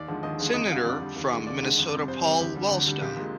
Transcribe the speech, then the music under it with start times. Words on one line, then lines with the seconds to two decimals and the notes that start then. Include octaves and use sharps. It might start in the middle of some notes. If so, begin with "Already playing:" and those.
Senator from Minnesota Paul Wellstone.
Already playing: D#2 D5
0.08 D3 F3 G#3
0.23 D#2 D#5
0.39 D3 F3 G#3
0.54 F2 D#5
0.69 D3 G3 F5
0.85 F2 D5
1.00 D3 G3
1.16 D#2
1.32 D3 G#3
1.47 D#2 D5
1.63 D3 G#3
1.78 F2
1.93 C3 G3
2.08 F2 C5
2.24 C3 G3
2.40 D2 G4
2.55 D3 G3
2.71 D2
2.86 D3 G3
3.01 A#1 G4
3.17 A#2 G#3